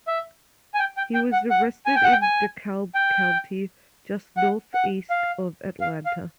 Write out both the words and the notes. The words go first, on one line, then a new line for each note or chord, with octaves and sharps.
He was arrested in DeKalb county, just northeast of Atlanta.
E5
G#5
G5
G5
G5
F#5
F#5
G#5
G5
F#5
G5
G#5
G5
F#5
F#5
F5
F5
F5